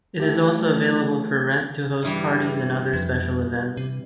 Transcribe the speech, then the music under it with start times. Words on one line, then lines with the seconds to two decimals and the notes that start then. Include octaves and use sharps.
It is also available for rent to host parties and other special events.
0.20 E3 F#3 A3 E4 G4
2.03 G2 E3 G3
2.93 F2
3.77 C3